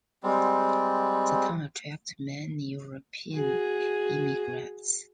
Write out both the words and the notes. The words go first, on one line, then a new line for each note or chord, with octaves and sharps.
The town attracted many European immigrants.
G3 G#3 C4
F#4 G#4